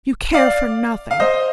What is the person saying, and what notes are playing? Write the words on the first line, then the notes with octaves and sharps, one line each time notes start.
You care for nothing.
D5 F5
F5
C5 D#5